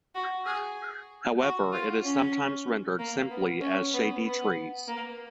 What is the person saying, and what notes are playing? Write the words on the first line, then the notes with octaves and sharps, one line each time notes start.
However it is sometimes rendered simply as "shady trees".
F#4
G#4
F#4
F4
C#4
A#3
B3
C#4
B3
B3
A#3